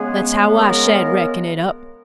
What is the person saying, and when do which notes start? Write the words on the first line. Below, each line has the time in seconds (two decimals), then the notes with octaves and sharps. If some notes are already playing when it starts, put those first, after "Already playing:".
That's how I shed reckon it up.
Already playing: C#3 G#3 B3 G#4
0.59 A#4